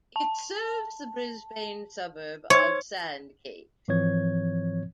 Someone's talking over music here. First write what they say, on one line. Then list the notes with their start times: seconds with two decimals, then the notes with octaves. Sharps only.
It serves the Brisbane suburb of Sandgate.
0.16 A5
2.50 C5 C#5 C6 C#6
3.88 G#2 E3 F3 C4 C#5 G#6